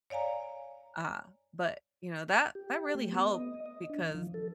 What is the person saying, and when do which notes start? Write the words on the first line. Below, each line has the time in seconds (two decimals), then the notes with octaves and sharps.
Uh, but, you know, that that really helped because,
0.10 C#5 D5 F5 G#5 A#5
2.55 G4
2.95 A3
3.12 B3
3.34 D#5
3.66 D#5
3.90 D4
4.01 E3
4.15 F3
4.34 A4